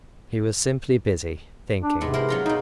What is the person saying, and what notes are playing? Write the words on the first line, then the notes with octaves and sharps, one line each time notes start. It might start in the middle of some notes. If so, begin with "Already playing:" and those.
He was simply busy--thinking.
D4
G#2 C3 B3
E4 A#4 C5
F#3 F4 A#5
G#2 B2 D#4